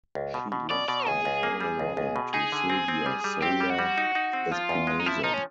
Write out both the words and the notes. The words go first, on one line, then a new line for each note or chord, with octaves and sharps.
She lost in the final round to Silvia Soler Espinosa.
C#2
B2
B2
B2 D5
B2 D5
C#2 G#4
C#2
A#3
G3
C#2
C#2
B2
D#4 G#4
D3
C4
C4
G3
G3
C4 G4
G3
F#4
G3
D#4
D#4
C4
F3 F4
E2
G#3
D#4
F3 E4
F3 D#4
C#4